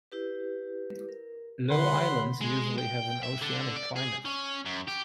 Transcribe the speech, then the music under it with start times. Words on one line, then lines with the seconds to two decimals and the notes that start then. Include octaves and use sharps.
Low islands usually have an oceanic climate.
0.12 E4 G4 B4
1.09 A#4
1.70 D3 G4 C#5 F#5 B5 C6
2.41 G#3
2.78 G5
3.23 E5
3.42 D3
3.77 D5
3.96 G#4
4.25 C#4
4.65 F#2
4.87 G4